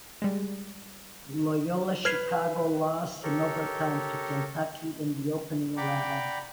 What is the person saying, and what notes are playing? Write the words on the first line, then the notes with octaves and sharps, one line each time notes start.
Loyola Chicago lost in overtime to Kentucky in the opening round.
G3 G#3
B4 F6 G#6 C7
G4 A4 A#4 C#5
D5 F#5 G5 A#5 B5 D6